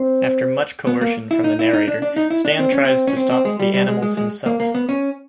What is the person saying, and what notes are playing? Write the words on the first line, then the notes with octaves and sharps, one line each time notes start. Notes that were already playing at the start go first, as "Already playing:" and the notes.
After much coercion from the narrator, Stan tries to stop the animals himself.
Already playing: C4
B3
A#3
E4
D#4
E4
D#4
D4
D4
D#4
E4
D4
C4
C#4
C4
C#4
C4
C4
G#3
G3
G3
G#3
G#3
G#3
A#3
A#3
B3
C#4